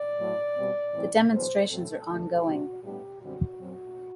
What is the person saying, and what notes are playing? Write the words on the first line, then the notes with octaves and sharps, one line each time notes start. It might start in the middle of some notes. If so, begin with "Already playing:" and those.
The demonstrations are ongoing.
Already playing: D5
A2 F#3 A3
B2 G3 C4
A2 E3 G3 C4
E2 D3 F#3 B3 C5
A2 F#3 C4 A4
E2 D3 A3
C3 G3 D4 F#4
A2 G3 B3 D4 G4
F#2 D3 G3 C4 F#4
F#2 F#3 C4